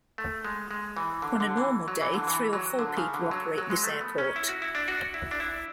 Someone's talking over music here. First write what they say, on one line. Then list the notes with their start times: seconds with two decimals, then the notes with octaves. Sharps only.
On a normal day, three or four people operate this airport.
0.18 A3
0.45 G#3
0.71 G#3
0.97 E3
1.22 D3
1.40 D3
1.57 E3
1.88 F#3
2.01 E3
2.14 D3
2.27 E3
2.53 F#3
2.79 D3
2.97 C#3
3.14 D3
3.31 F#3
3.58 F#3
3.70 G#3
3.84 A3
4.01 B3
4.18 C#4
4.36 E4
4.49 F#4
4.62 E4
4.75 D4
4.88 F#4
5.14 E4
5.31 D4
5.40 E4